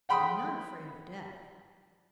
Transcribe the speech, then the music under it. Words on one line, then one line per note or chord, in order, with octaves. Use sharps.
I am not afraid of death.
F#5 G5 B5 C6 D#6